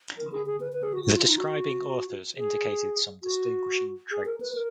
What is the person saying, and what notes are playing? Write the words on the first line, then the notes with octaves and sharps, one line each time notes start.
The describing authors indicated some distinguishing traits.
A#4
G#4
G#4
B4
B4
G#4
F#4
F#4
F4
D#4
F#4
G#4
F#4
G#4
A#4
B4
A#4